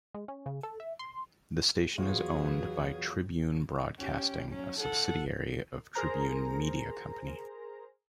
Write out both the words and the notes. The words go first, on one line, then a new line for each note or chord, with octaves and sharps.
The station is owned by Tribune Broadcasting, a subsidiary of Tribune Media Company.
G#3
C#4
C#3
A4
E5
C6
E2 F#3 B3 F4 F#4 G#4 C#5
C#4 G4
F#3 C#4
A4 F#5
G#4 A#4 C5 A#5